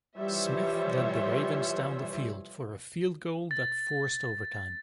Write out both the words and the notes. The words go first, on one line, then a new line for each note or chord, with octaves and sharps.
Smith led the Ravens down the field for a field goal that forced overtime.
E3 F3 G3 C5 C#5 E5
A6